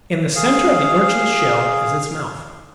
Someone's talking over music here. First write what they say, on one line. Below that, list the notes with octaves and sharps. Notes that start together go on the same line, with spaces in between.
In the centre of the Urchin's shell is its mouth.
G#4 F5